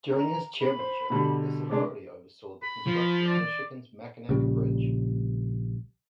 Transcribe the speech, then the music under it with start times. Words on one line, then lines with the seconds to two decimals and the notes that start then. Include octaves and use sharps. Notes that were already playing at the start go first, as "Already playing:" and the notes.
During his chairmanship, this authority oversaw the construction of Michigan's Mackinac Bridge.
0.11 A#5
0.61 B5
0.79 C5
1.10 B2 D3 G3
1.70 C3 G#3 D4 D6
2.63 B5
2.87 F3
3.27 D5
4.29 A#1 C#3 G3